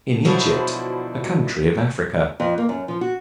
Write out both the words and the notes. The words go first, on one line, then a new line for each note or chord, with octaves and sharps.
In Egypt, a country of Africa.
B2 D3 F3 F#3 E4 C5
F2
A#3
F#2
F3
F#4